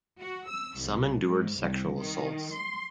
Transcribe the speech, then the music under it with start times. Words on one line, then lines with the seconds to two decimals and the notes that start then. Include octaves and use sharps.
Some endured sexual assaults.
0.19 F#4
0.48 E6
0.79 C2
1.26 G#2
1.60 C2
2.00 D#3
2.54 C6